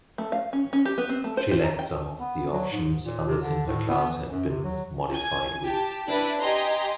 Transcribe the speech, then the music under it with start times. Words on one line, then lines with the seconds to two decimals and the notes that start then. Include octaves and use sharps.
She lacked some of the options others in her class had been modified with.
0.18 A3
0.32 F5
0.53 C#4
0.73 C#4
0.85 G4
0.98 B3
1.09 C4
1.24 A3
1.37 C5
1.51 C5
1.64 A#5
1.79 G5
2.20 B3
2.52 F#3
2.72 G#2
3.05 A#2
3.26 C3
3.42 D3
3.66 A2
3.90 B3
4.09 E3
4.31 F#2
4.48 C3
4.64 F#3
5.13 G#5 G#6
5.66 G4 A5
6.07 D4 E4 B4
6.42 G4 D#5 G#5 A#5 C6